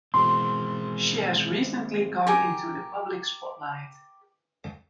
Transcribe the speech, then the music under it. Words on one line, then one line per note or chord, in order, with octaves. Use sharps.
She has recently come into the public spotlight.
B2 E3 G#3 C4 C6
G4 A#4 G#5